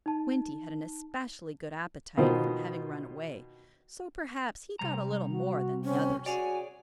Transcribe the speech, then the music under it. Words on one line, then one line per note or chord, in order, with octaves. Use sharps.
Squinty had an especially good appetite, from having run away, so perhaps he got a little more than the others.
D#4 A5
B2 D#3 F4 C5
C3 G3 A#5
F#4
C4 C#4
F#4 G#4 C#5 D5 G#5